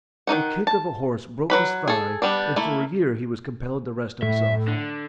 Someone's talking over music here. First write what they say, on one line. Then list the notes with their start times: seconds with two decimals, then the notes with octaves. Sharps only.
The kick of a horse broke his thigh, and for a year he was compelled to rest himself.
0.27 D#3 F#3 D#4 F#5
0.67 A5
1.50 F#3 B4 B5
1.88 G#4 A4
2.22 G3 B3 D4
2.56 A3 A#3 E4
4.22 A2 E5
4.68 D3